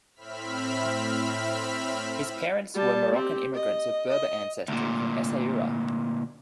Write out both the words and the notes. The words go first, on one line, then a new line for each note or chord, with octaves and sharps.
His parents were Moroccan immigrants of Berber ancestry from Essaouira.
A2 C4 E5 B5 F6 B6
G3 A5
C4 G4
D#5
D#5
D2 A#2